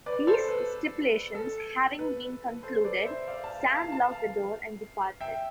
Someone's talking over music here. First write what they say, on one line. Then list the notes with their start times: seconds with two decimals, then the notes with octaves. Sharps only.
These stipulations having been concluded, Sam locked the door and departed.
0.06 B4 D5
0.27 A4 C5
0.49 B4
1.35 A4
1.99 B4
2.63 A4 C5
2.84 B4 D5
3.06 C5 E5
3.27 D5 F5
3.44 F5 A5
3.60 F5 A5
3.75 F5 A5
3.92 A5
4.11 F5 A5
5.21 E5 G5